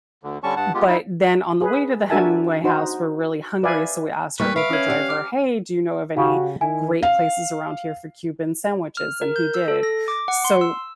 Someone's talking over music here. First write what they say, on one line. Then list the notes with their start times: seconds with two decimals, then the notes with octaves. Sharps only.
but then on the way to the Hemingway House, we're really hungry, so we asked our Uber driver, "Hey, do you know of any great places around here for Cuban sandwiches?" and he did. So,
0.23 D2 D3
0.43 D3 G3 C#4 A5 C#6
0.57 G2 F#5 A5
0.74 G#3 B3 F4 G4
0.87 D#4 E4
1.62 G#4 B4
2.10 D4 F#4 A#4 E5 G#5 A5
2.64 D#4 F#4 C5
3.63 B4 D5 E5 F5 G#5
4.40 E2 G3 A#3 B4 C#6
4.56 B4 E5 F5 D7
4.70 C#4 C#5
4.88 G4 D5 F#5
5.09 D6 F6
6.17 C#3 C#4 F#4 G4 F5
6.61 D#3 E4 G#5
7.03 F5
8.97 F6
9.22 A#4
9.36 G6
9.54 E6
9.68 A4
9.83 A#6
10.08 D6
10.28 F#5
10.45 C6
10.61 E6